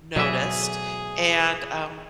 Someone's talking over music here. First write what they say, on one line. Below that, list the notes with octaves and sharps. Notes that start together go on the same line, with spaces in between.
noticed, and, um,
D2 B2 E3 F#3 G#4 E5